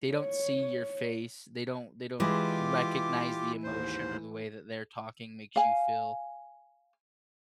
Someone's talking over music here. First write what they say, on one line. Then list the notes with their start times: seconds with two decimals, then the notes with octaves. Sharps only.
they don't see your face. They don't they don't recognize the emotion or the way that they're talking makes you feel,
0.11 C#5
2.20 E3 G#3 F4 G4 D6
3.64 D#2 G#2 C5
5.56 F5 G#5